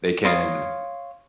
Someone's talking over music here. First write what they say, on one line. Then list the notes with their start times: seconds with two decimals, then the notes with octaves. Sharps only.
they can
0.24 C#5 F5 C6 D#6